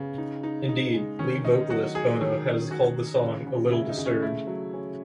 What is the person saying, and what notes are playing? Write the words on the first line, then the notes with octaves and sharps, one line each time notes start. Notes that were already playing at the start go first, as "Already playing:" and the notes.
Indeed, lead vocalist Bono has called the song "a little disturbed".
Already playing: C#3 B3
D#4
D#4
D#4
G#3
D#3 C#4
D#3 D#4
F#3 F#4
F#3 G#4
D#3
C#4
C#4 F#4
D#3
C#3
C#3
C#3 E4
D#4
C#3
C#4
A3 E4
F#3
C#4